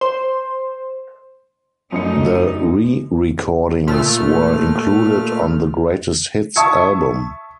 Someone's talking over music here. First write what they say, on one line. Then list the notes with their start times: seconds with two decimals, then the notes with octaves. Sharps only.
The re-recordings were included on the greatest hits album.
0.01 C5
1.92 F#2 A3 D4 D#4 C#7
3.87 A#2 A3 F6
6.56 E5 A5 C#6 D#6 G#6 C#7